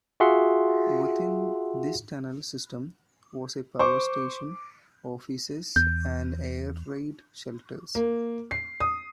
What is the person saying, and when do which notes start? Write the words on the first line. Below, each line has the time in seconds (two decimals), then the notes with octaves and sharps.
Within this tunnel system was a power station, offices and air raid shelters.
0.20 F4 F#4 G#4 E5 F#5 C6
3.79 C5 C#6 D6
5.76 E2 G6
7.95 A#3
8.51 C7
8.80 D#6